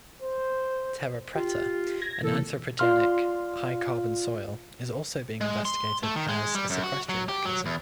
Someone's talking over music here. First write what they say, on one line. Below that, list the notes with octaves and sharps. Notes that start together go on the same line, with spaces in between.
Terra preta, an anthropogenic, high-carbon soil, is also being investigated as a sequestration mechanism.
C5
F4 G4
G#6 A#6
C3 E3 A#3 A4
F4 D5 F5 C6 F6
G#3
C6
A3
D#3
G#3
G3
F#2
F#4
F#3
G4
F#3
E2